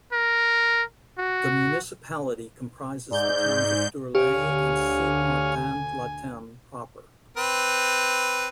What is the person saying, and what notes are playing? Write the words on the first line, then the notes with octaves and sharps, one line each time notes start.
The municipality comprises the towns of Deurle and Sint-Martens-Latem proper.
A#4
F#4
G#2 D5 G6
D2 D3 G4 C#5 F5 G#5
C4 B4